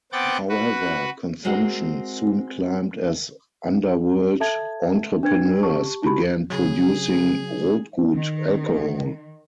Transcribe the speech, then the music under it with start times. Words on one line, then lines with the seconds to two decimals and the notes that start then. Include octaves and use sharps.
However, consumption soon climbed as underworld entrepreneurs began producing "rotgut" alcohol.
0.12 B3 C4 F#5 G5 D6 A6
0.49 F#4 B4
1.45 G#3 C4 F#4 A#4 F#5
4.40 A4 E5 A5 G#6
5.23 D4 B4 G#6
5.63 G4 A5 C#6
6.03 D#4 E4 F#4 G4 B5
6.50 C#3 F#3 G#4
8.14 D#3